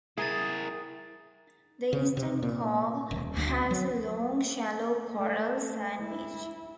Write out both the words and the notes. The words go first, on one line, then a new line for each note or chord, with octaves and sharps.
The eastern cove has a long shallow coral sand beach.
E4 G#4 A#4 D#6 A6
C#3
C3
A#2
D#1
D2
F#3
A3
E4